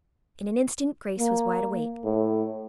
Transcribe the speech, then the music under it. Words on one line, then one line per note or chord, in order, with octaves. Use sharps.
In an instant Grace was wide awake.
A#3
A2